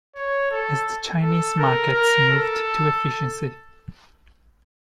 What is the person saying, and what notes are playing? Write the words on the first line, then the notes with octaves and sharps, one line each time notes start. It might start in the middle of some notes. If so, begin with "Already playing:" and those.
As the Chinese markets moved to efficiency.
C#5
A4
A4
A#4
A#4
A4